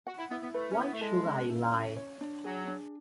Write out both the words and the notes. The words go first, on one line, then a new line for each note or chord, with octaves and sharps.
Why should I lie?
F#4 F#5
E4
B3 E4
B3
A3 B4
C#4
B3 E4
A3
G#3 A4
C#4
E4
C#4
C#5
D4
F#3 G#4
D4